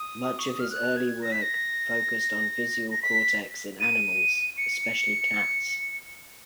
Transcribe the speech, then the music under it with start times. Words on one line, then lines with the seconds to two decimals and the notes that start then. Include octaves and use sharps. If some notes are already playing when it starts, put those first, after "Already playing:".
Much of his early work focused on visual cortex in animals, especially cats.
Already playing: D#6
0.39 C#6
0.49 D#6
0.60 F6
0.71 F#6
0.97 G#6
1.22 A#6
1.32 B6
1.42 A#6
2.91 A#6
3.02 B6
3.80 D#7
4.58 C#7